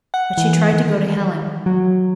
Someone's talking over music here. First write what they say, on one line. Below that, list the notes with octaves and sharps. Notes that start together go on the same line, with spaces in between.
But she tried to go to Helen.
F#5
E3
D#3
F#3